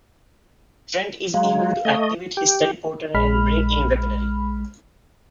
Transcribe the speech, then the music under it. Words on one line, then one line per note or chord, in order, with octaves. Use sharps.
Trent is able to activate his teleporter, and bring in weaponry.
F#3 G#3 F5
A3 D#5
G4
A#1 G#3 B5 F6